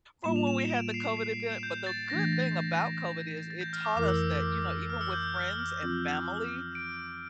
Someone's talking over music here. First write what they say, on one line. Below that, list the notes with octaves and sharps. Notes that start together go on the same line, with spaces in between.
from when we had the COVID event. But the good thing about COVID is it taught us that, you know, even with friends and family,
A2 G3 A#3 F4 E7
F7
E7
E7
D7
C7
C7
D7
E7
G6
A6
E3 A3 D4 A#6
A6
A6
G6
F6
D6
F2 E3 A3 E4 A#4 D6
E6
E6
F6
E6
G6
G6
F6
F6
F3 C4 F4
D7